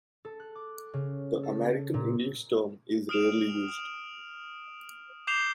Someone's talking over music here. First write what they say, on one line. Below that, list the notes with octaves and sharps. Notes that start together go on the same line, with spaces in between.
The American English term is rarely used.
A4
F#6
D6
C#3
A4
A#2
D#6 F6 D7 E7 F7
D6 G6 C7 E7 F7 G7